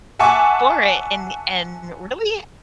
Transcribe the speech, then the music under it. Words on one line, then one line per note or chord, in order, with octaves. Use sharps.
for it and and really
E5 F#5 G#5 A5 C#6 D6